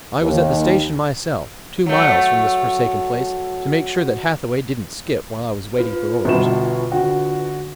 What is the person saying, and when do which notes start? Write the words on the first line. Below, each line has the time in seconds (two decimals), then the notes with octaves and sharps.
I was at the station myself--two miles from this forsaken place--to make sure that Hathaway didn't skip while I was waiting for orders.
0.21 D#2
1.86 F#3 A3
5.79 F4 B4
6.25 G1 B2 E7
6.92 D3 F#4